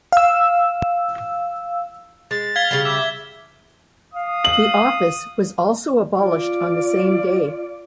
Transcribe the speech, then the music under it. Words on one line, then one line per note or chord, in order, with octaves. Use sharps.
The office was also abolished on the same day.
F5 E6
G#3 A6
F5 G#6 B6 G7
C#3 G3 A6
E5 D6
F5 D#6
F#7
F4 D5